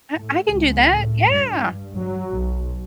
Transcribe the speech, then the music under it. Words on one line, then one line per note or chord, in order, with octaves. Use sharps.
I I can do that, yeah.
A2
C#2
A2
G2
F#3
B1